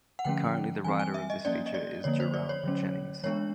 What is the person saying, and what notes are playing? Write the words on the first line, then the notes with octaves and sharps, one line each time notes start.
Currently the writer of this feature is Geraint Jennings.
F#5
D3 F3 A3 C#4 G5
E3 G3 C4 G#5
G#5
E5
D#5
F3 A#3 C#4 D5
D#5
D5
D3 F3 A#3 C#5
C5
D5
C#5
D3 F#3 A3 C#4
E3 G#3 B3 D4 C#5